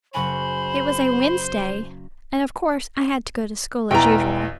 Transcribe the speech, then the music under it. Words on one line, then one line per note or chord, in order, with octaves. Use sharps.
It was a Wednesday, and of course I had to go to school as usual.
F#1 F#4 C5 G#5 B5
B1 E2 E3 G5 A#5